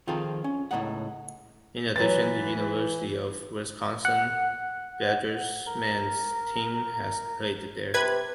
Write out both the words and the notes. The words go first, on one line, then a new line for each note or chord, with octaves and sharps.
In addition, the University of Wisconsin Badgers men's team has played there.
D#3 F3 C4 F4 G#4 A4
C#4
C#2 A2 A#3 D#4 F#5
E3 F#3 B4 A6
F#5
A#4
C3 B4 G#6